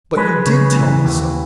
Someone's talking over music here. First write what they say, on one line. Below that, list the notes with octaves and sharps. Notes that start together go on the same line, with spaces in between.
"But you did tell me so."
G#3 B4
C#3
E3
D#2